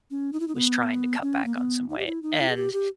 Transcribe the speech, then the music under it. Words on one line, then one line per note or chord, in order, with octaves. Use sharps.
was trying to cut back on some weight, and,
C#4
D#4
E4
D#4
B3
C#4
A#3
B3
D#4
G4
E4
D#4
E4
G#4
G4
G4